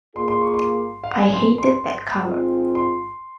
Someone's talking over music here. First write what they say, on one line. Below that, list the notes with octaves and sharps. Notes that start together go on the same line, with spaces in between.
I hated that cover.
A#3 F4 G#4 C6
C6
C#6
C6
F5
F#5
G#5
C6
C6
C6
D#3 G#3 C4 F4
C6